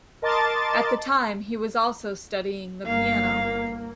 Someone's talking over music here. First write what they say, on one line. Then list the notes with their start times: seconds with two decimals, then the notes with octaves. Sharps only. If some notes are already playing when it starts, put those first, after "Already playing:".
At the time, he was also studying the piano.
0.22 A#4 D#5 A5 C6 D6 A6
2.86 G1 A#3 F5